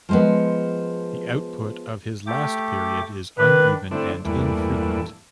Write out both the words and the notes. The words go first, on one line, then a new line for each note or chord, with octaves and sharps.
The output of his last period is uneven and infrequent.
F3 G#3 B3
A3 G4 D6
D#3 D4 B4
D3 A3 C4 D4 E4
E2 G2 A#2 E3 A3 D4